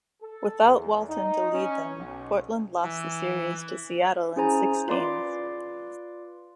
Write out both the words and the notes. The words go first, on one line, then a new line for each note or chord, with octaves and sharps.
Without Walton to lead them, Portland lost the series to Seattle in six games.
A4
E2
D#4
C#4
B1
E3
C#4 E4 G#4 C5 G#5 A#5
F4 B4 D5 C6 D6